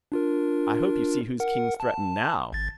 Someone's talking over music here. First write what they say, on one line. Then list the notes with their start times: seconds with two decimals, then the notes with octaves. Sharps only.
"I hope you see whose king's threatened, now."
0.12 D4 F4 A#4
1.40 A#4 F#5
1.80 A5
2.53 G#1 A6